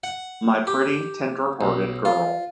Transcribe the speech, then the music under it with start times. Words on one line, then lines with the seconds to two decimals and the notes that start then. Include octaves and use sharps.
My pretty, tender-hearted girl!
0.03 F#5
0.67 G4
1.61 B1
2.05 F4